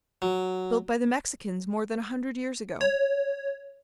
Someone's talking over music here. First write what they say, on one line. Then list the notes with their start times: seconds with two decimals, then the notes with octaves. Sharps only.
"Built by the Mexicans more than a hundred years ago."
0.22 F#3
2.81 C#5